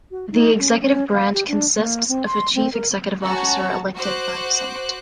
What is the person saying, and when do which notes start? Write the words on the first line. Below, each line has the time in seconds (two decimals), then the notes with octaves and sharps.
The executive branch consists of a chief executive officer elected by the Senate.
0.11 F#4
0.32 D#4
0.59 C#4
0.80 C#4
1.14 F5
1.33 G4
1.48 D4
1.77 A#3
2.09 C4
2.26 C6
2.55 C4
2.73 A#4
3.23 C#4 F#4 A5 A#5
3.97 F#4 C5 D6 F#6